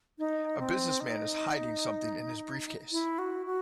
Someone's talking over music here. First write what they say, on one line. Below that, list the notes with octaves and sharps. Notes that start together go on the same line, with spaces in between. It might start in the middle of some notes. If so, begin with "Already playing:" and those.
A businessman is hiding something in his briefcase.
D#4
C4
D#4
E4
F#4
F#4